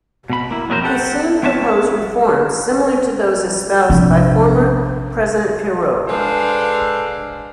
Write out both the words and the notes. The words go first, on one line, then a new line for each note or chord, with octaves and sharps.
He soon proposed reforms similar to those espoused by former President Pierrot.
B2 B5
A#3 E4
F2 F#3 G#4 A#4 C5
C4 D#4 G4 A4 F#5
B3 C4 C#5 E5 A5
A#1 C3 F3 D4
G#3 D4 A4 B4 C5 F5